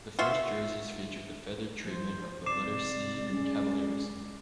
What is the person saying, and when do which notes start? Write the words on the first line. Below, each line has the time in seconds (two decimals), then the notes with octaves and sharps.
The first jerseys featured the feathered treatment of the letter C in Cavaliers.
0.19 F4 F#4 E5
1.84 F3 C5
2.46 C3 D5 D6 C7 E7
3.31 G#3 C#4